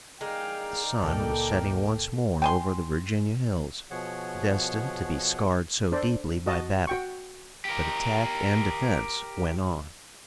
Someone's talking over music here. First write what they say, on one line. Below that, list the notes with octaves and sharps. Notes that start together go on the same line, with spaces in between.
The sun was setting once more over the Virginia hills destined to be scarred so deeply by battle, but attack and defense went on.
G#3 D#4 A#4 D5 F5 G5
C#2 A#2 A#3 A4 G5
G5 G#5 C6
B2 F3 G#4 C#5 F#5
D4 A4 C5 D5
F#4 D#5 A5
F#4 G5 C#6
G4 A#4